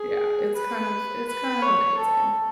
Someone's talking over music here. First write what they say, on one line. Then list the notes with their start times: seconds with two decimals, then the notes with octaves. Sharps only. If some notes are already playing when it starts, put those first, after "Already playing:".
Yeah, it's kind of it's kind of amazing,
Already playing: G#4
0.56 B4
1.26 B4
1.62 C#5
1.97 A4